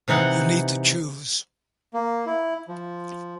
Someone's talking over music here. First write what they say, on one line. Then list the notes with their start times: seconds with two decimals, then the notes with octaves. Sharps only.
You need to choose.
0.08 C3 E3 D#4 F#5
1.94 A#3
2.26 E4
2.68 F3